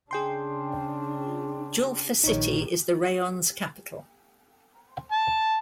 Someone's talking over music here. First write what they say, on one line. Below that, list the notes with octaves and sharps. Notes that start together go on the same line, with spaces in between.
Julfa city is the rayon's capital.
C#3 D4 G#4 G5 C6
A#1 D#3 D#4 C#5
A5